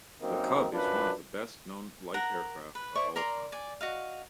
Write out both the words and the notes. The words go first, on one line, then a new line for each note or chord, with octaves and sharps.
The Cub is one of the best known light aircraft of all time.
F#2 A#3 C4 D#4
F#2 D4 F4 B4
A#4 F#5 A#5
B4
E4 C5 D5 C#6
A#4 D5 A#5 C6
D5 G#5
F#4 D#5 F5